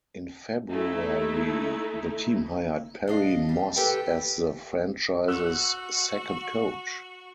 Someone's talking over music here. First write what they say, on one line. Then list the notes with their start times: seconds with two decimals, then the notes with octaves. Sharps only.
In February, the team hired Perry Moss as the franchise's second coach.
0.70 A3 D#4 E4
3.08 D4 D#5 F5
3.49 G3
3.76 G4 A4 B4 G5
5.28 F#4 E6 F#6